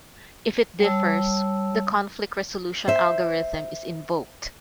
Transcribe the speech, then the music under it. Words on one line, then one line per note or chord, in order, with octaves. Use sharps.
If it differs, the conflict resolution algorithm is invoked.
G3 C#5 A5 E6
C5 E5